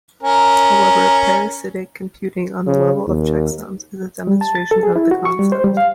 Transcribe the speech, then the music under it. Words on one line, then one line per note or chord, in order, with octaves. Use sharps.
However, parasitic computing on the level of checksums is a demonstration of the concept.
C#4 A#4
C#3
D#2
G3
A5
A6
A4
G#4
E4
F#4
C#6
G3
C5
G3
F5